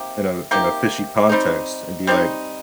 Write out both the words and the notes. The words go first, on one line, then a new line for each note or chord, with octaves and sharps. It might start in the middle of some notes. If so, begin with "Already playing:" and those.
in a in a fishy context and be, like,
Already playing: C3 D#3 A#3 G4
C3 D#3 A#3 G4
G3 C4 D#4
G3 C4 D#4